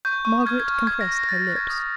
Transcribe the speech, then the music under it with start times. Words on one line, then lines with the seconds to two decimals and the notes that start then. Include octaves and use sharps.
Margaret compressed her lips.
0.05 C#6 G6
0.25 C#6
0.46 F6 G#6
0.60 G#6
0.67 F6
0.87 C#6 G#6
1.01 A#6
1.09 C#6
1.15 A#6
1.29 F#6 A6
1.42 G#6
1.49 F#6
1.56 G#6
1.70 D#6